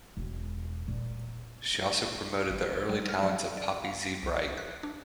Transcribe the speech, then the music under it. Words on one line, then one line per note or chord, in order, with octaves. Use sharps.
She also promoted the early talents of Poppy Z. Brite.
E1
A#2
G#1
G3
F6
F#3
D5
F5
C2
F#6
D4